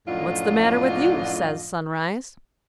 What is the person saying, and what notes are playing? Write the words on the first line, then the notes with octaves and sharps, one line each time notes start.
"What's the matter with you?" says Sunrise.
F#2 A2 D3 F3 F4 D#5